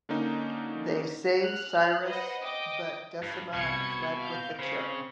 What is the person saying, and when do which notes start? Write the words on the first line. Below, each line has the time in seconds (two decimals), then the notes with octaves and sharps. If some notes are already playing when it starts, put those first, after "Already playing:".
They save Cyrus but Decima fled with the chip.
0.09 D3 A#3 C#4 D#4
1.40 F6 F#6
2.05 B4 C5 D#5 F#5
2.41 D#5 G5 D6
3.22 G2
3.53 C2 B2 G#6 C#7
4.20 F5 G6
4.59 C#3 C4